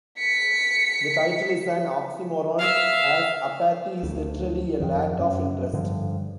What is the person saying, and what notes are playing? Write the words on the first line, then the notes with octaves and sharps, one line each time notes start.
The title is an oxymoron as apathy is literally a "lack of interest".
B6 C#7
E5 F5
D2
F2 D#3
F#2 F#3
G2 D3 F3